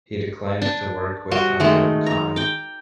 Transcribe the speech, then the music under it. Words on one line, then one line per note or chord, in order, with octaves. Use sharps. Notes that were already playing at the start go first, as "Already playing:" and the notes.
He declined to work with Ayub Khan.
D4
G3 F#4 C6
D#3 G#3 A3
A#5
G5 D6